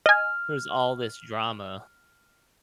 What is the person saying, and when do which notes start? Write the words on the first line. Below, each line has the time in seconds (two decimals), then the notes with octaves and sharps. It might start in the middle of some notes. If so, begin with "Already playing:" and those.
"There's all this drama."
0.06 D#5 G#5 F6